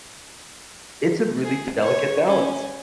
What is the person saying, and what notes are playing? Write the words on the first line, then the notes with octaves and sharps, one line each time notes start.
It's a really delicate balance.
G#4
C#5
C#4